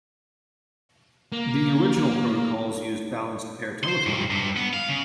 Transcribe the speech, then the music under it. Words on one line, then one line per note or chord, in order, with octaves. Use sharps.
The original protocols used balanced pair telephone wire.
A#3
C5 C6
G2 A#2
G2
B3
F5
C#3